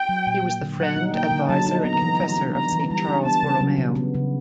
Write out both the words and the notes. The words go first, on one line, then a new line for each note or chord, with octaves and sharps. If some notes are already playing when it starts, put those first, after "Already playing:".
He was the friend, adviser, and confessor of Saint Charles Borromeo.
Already playing: G5
F#3
A#2
A#3
D3
F#3 F#5
D#4
A#3 G5
D3
F#3 A5
D#4
B3 A#5
E3
G3
D4
B3 A#5
E3
G3 A#5
D4
B3 A5
C#3
F#3
C#3
B3
C#3